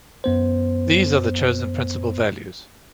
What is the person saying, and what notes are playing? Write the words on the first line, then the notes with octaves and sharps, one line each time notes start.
These are the chosen principal values.
F#2 B3 C5